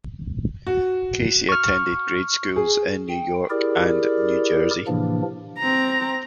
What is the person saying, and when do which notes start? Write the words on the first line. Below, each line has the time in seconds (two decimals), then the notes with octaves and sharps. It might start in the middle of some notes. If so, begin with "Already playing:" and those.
Kacy attended grade schools in New York and New Jersey.
0.67 F#4
1.49 C#6 F6
2.56 G#4
3.09 G5
3.50 E4 G4 G#4 A#4 D5
4.87 A2 C3 E3 F3 A#3 D4
5.59 C4 A#5